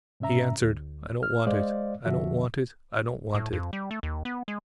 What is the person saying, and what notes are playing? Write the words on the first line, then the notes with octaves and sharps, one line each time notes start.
He answered: "I don't want it; I don't want it; I don't want it."
G#2 C3 C#4 E5 A#5
D2
F6
G#3 C5 D5 D#5 F5
F2 D3 F3 F#4 E5
A2
F2
G3
A3
D#2
B3
G#3